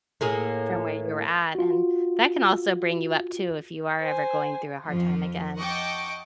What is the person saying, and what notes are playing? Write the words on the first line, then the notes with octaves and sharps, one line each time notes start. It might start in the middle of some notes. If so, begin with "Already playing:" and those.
from where you were at. And that can also bring you up too if you are ever going through a hard time again
A2 A#3 G#4
F4 F#4
C5 G#5
F2 F3
D#5 F#5 G5 A5 C#6 D6